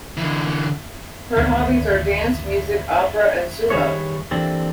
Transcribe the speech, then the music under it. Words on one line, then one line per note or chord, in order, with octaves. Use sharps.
Her hobbies are dance, music, opera, and sumo.
D3 E3
G#1 D2 G#2 D3
D#3 G3 G#4 B4 C#5
E3 G3 A#3 C4 D4 A4